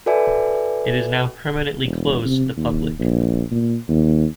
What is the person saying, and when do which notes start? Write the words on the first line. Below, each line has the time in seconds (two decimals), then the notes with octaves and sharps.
It is now permanently closed to the public.
0.06 F#4 A4 B4 D5 E5 G#5
1.84 E1
2.25 C3
2.57 D#2
2.99 A#1
3.51 A#2
3.89 D#2